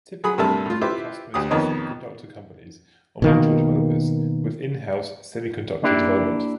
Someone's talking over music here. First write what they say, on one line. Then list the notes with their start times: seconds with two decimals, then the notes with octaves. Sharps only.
Typically, the customers are semiconductor companies or module developers with in-house semiconductor development.
0.24 F#3 G#4 B5 D#6
0.38 G2 C3 A3 A#4 E5 A5
0.66 A2 F4
0.81 E4 F4 G4 B4 C5 E5
1.34 D2 G4 D#6
1.50 F2 D#3 B3 C#5 D#5
3.22 B2 D#3 A#3
5.83 A#3 D4 E4 G4